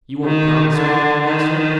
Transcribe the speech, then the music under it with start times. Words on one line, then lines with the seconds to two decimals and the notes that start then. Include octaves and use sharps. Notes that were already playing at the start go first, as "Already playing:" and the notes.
"You won't promise me?" he asked her.
0.24 D#3
0.76 D3
1.28 D#3